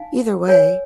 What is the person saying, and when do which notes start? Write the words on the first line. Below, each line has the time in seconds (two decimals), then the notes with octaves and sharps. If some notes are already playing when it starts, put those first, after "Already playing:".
either way,
Already playing: D#4 F5 G#5
0.48 A#4 C#5 G#5